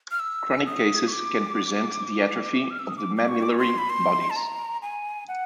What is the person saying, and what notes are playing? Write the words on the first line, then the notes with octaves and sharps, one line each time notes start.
Chronic cases can present the atrophy of the mammillary bodies.
F6
E6
D#6
C#6
D6
F6
E6
D#6
D6
D6
C#6
D6
C#6
C6
B5
C6
A5
A#5
G#5
F#5